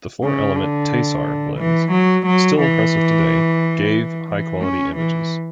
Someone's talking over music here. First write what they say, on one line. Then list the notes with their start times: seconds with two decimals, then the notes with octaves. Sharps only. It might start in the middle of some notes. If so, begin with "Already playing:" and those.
The four-element Tessar lens, still impressive today, gave high-quality images.
0.23 C#3
0.56 D3
1.58 E3
1.91 F#3
2.26 F#3
2.60 E3
4.29 E3
4.63 C#4
4.96 E3